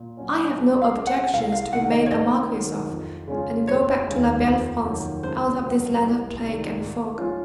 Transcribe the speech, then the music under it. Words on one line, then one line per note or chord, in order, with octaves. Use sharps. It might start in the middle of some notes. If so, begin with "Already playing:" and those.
I have no objections to be made a marquis of, and go back to la belle France, out of this land of plague and fog.
Already playing: A#2
F#3 C#4
C#2
F5
C#3 G#3
F#5
C2 F5
F5
C3 D#3 A#3 D#4 F#5
D#5
C#5
G#2 D#5
D#3 F#3 C4
F2
C#3 G#3 C#4 F4
F1 C#5
D#2 D#3 G#3 C#4
F2
C3 D#3 F#3
C#2 C5
C3 F#3 A#3
C2
C3 D#3
G#2
F3 G#3 C#4 F4